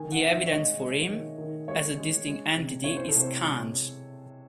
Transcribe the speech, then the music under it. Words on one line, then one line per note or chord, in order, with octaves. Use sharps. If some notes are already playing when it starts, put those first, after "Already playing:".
The evidence for him as a distinct entity is scant.
Already playing: D#3 G#5
F#5
D#3
E5
C#5
G#3 D#5
G#3
D#3
D#3
G#3 C#5
G#3
G#3
C3
E3 C#5
C5
A4
C3
C5
G#3